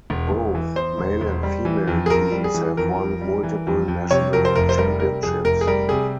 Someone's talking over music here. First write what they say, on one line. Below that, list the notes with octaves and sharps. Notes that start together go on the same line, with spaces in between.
Both male and female teams have won multiple national championships.
E1
E1
E3
E2 C5
E1
E1
G3
E3
F2
G#4
F2 A#4
G3
G#4
E3
F2 A#4
F2
G3
E3
F2
F2
C3 C#5
F2 A#4
C5
F1 A#4
C5
G3 A#4
C3 A#4
F2 G#4
F1 A#4
G#4
G3 A#4
C3 G#4